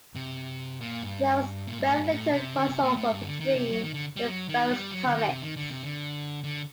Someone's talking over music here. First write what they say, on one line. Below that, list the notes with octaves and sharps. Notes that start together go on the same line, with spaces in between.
There was very little crossover between the various comics.
C3
A#2
G2
A#2
G2
A2
G2
A2
C3
D3
C3
A#2
A2
G2
D#3
D3
D#3
C3
F#3
D#3
D3
G3
F#3
D#3
G3
F#3
D3
D#3
C3
D#3
D3
C3
D3
D3